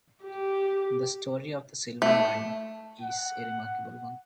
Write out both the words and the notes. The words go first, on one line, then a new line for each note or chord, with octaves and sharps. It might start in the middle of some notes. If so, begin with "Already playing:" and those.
The story of the silver mine is a remarkable one.
G4
A3
F#5